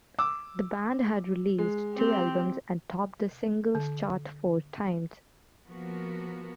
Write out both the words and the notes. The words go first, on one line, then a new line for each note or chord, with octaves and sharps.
The band had released two albums and topped the singles chart four times.
D6 E6
G#3
C4 G4
D3
F3 A#3 B3 F#4 A#4